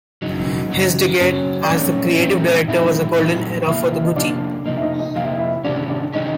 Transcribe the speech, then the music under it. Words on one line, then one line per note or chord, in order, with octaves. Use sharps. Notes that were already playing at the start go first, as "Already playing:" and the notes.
His decade as the creative director was a "golden era" for Gucci.
F#2 C#3 F#3 D#4 D#5
F#2 C#3 F#3
F#2 C#3 F#3 C#4 C#5
D5
A#2 F#3 A3 C4 C#4 D#4 C#5
A#2 F#3 A3 C4 D#4
A#2 F#3 A3 C4 D#4 E4 E5
A#2 F#3 A3 C4 D#4
C3 F3 A#3 E4 E5
E4 E5
D#4 D#5
C3 F3 A#3 D4 D5
C3 F3 A#3 D#4 D#5
E5
D#4 D#5
D#4 D#5
C3 F3 A#3 F5
E5
D#5
E4 E5
C3 D#3 G#3 C#4 D4 D5
D4 D5
C3 D#3 G#3 C#4 D#4 D#5